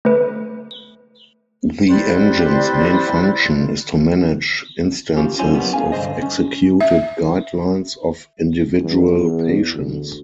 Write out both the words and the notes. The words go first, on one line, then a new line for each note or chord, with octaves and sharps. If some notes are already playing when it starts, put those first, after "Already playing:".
The engine's main function is to manage instances of executed guidelines of individual patients.
A3 B4
G3 C4 E4 B4 C5 D5
C#4 F4 G4
F#3 E4 C5 C#5 G#5 C6
F#3 G3 A#3 B3 C#4
G#4 F5 G#5
C2 G2 D3 C5 D#5
C#4
E5
E2
E2
D2